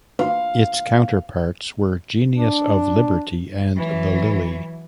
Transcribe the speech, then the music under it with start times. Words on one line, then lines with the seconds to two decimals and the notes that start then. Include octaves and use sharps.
Its counterparts were "Genius of Liberty" and the "Lily".
0.19 F5
2.35 D4
3.76 E3 F#3